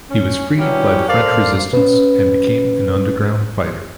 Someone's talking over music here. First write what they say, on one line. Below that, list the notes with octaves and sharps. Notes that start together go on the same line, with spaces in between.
He was freed by the French Resistance and became an underground fighter.
C#4
E3 F#3 G3 C#4 E4 G4
A4 A#4 C5 D5 F5
C#4 B4